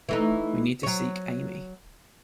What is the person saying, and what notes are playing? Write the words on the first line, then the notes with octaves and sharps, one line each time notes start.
We need to seek Amy.
E3 A3 D#4
F#3 C#5